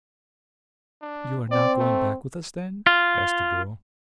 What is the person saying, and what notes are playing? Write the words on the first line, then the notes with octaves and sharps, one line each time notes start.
"You are not going back with us, then?" asked the girl.
D4
C4 D5
A3
F4